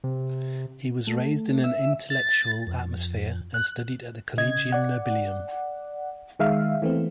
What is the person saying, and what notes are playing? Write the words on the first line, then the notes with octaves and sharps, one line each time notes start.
He was raised in an intellectual atmosphere and studied at the Collegium Nobilium.
C3
A3
E5
A6
F2
F#6
C#3 D#5 G#6
D5 F#5
D#3 G#3 E5 F5
E3 A3 B3 C4